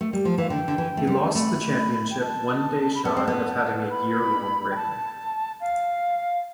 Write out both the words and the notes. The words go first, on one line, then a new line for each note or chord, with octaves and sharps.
He lost the championship one day shy of having a year-long reign.
A3
G3
F3
E3 F5
D3 G5
D3
E3
A3
G3
A5
A3 B5
G5
A5
B5
B3 A5
C4
B3
B5
G5
A5
F5